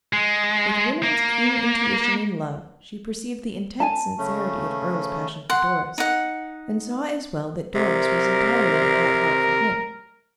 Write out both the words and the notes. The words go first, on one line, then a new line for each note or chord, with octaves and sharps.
With woman's keen intuition in love, she perceived the intense sincerity of Earle's passion for Doris, and saw as well that Doris was entirely without heart for him.
G#3
A#3
G#5 A5
C#3 A3 C#4
F#5 C6
D#4 F#5
C3 A#4